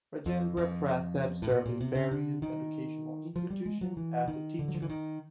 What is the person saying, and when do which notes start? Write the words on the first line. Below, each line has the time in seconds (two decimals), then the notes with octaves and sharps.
Rajendra Prasad served in various educational institutions as a teacher.
0.26 F2
0.57 F2
1.42 A2
1.50 A#2
1.66 A#2
1.81 C3
1.95 C#3
2.11 D3
2.42 D#3
3.36 F3
3.50 G3
3.66 G#3
3.81 F#3
3.97 E3
4.28 D#3
4.59 D3
4.68 F#3
4.74 F3
4.82 E3
4.90 D#3